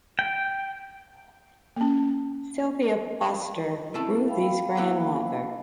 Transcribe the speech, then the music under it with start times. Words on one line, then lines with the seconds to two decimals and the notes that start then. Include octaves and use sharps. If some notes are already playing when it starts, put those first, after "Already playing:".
Sylvia Foster - Ruthie's grandmother.
0.19 G5
1.77 A#3 C#4
3.94 A3 C4 C#4 E4 A5
4.28 F5 G5 B5
4.77 A#3 B3 E4